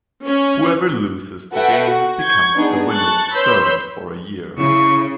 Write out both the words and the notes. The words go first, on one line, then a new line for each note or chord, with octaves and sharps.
Whoever loses the game becomes the winner's servant for a year.
C#4
F#4 A4 B4 E5 F#5 G5
F#4
C#6 G6 G#6
B3 D4 D#4 G#4
A5 C#6 F#6 A6
B4 C#5 B5 C6 E6 G6
C#3 E4 C#6